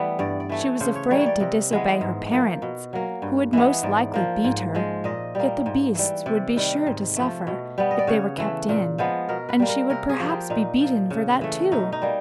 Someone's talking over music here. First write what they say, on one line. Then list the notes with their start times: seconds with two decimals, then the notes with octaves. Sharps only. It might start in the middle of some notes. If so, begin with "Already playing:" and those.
She was afraid to disobey her parents, who would most likely beat her, yet the beasts would be sure to suffer if they were kept in, and she would perhaps be beaten for that too.
Already playing: E3 G3 A3 B3
0.19 G2 D5
0.40 D5
0.49 E3 A3
0.60 C#5
0.80 C#3 C5
0.95 C#5
1.10 E3 G3 A#3 C#5
1.21 C#5
1.26 D5
1.40 C3 D#5
1.71 E3 G#3 B3
2.01 G#2
2.32 F3 A#3
2.62 B2
2.93 F#3 A#3
3.22 G2
3.53 E3 G#3 B3
3.83 G#2 D5
4.14 F3 A#3
4.44 G#2
4.75 F3 G#3
5.04 A#2 D#5
5.35 G3 A#3
5.66 G#2
5.95 E3 G3
6.26 C3 D5
6.56 D#3 G3
6.87 G#2
7.16 F3 A3
7.47 B2
7.78 G3 B3
7.91 D#5
7.99 D5
8.07 C#3 C#5
8.38 E3 A3
8.69 A#2
8.98 F3 G#3 B3
9.29 B2 A#4
9.49 B4
9.60 G3 A#3
9.69 A#4
9.90 C3 A#4
10.09 G#4
10.20 F3 A#3
10.31 G4
10.50 A#2 D#4
10.80 F3 A#3
11.10 C#3
11.41 E3 A3
11.72 B2 D#4
11.92 D#4
12.02 G3 A#3